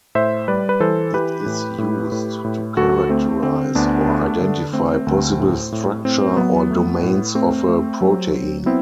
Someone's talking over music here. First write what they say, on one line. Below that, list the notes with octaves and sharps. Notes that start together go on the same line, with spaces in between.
It is used to characterize or identify possible structure or domains of a protein.
A2 C5 E5
G3 B4 D5
B4
E3 A4 C5
E3 G4 B4
A2
A2
A2
A2
D2 F#4 A4
A3 C4
D3 C4
D2 B3 D4
A3
D3
A3 C4
D2
A2
A2
A2 C4
F#3 B3
A3
A2
A3 C4
A3
F#3
F#3
B3 C4 E4